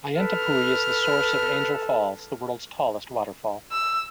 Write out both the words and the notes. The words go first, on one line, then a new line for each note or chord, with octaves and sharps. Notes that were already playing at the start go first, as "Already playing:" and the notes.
Auyantepui is the source of Angel Falls, the world's tallest waterfall.
A4 B4 F6
E6